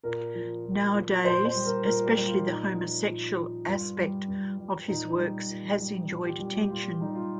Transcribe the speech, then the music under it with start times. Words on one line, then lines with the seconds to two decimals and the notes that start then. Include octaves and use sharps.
Nowadays, especially the homosexual aspect of his works has enjoyed attention.
0.03 A#2 A#4
0.35 F3
0.65 A#2
0.95 F3
1.25 A#2 C5
1.45 C5
1.55 G3
1.66 A#4
1.85 A#2 A#4
2.06 G4
2.16 G3
2.26 F4
2.46 A#2 D#4
2.76 F3
3.07 A#2
3.36 F3
3.67 G2 F4
3.97 G3
4.28 G2
4.58 G3
4.88 A#2 D#4
5.18 G3
5.49 A#2
5.79 G3
6.09 A#2 F4
6.25 G4
6.40 G3 G4
6.55 G4
6.70 A#2 F4
7.00 G3 D#4
7.15 F4